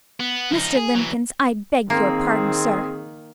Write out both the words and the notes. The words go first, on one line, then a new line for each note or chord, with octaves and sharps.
'Mr. Limbkins, I beg your pardon, sir!
B3
F3 D#4
G#4
E3 F#3
D#3 A#3 C4 G#4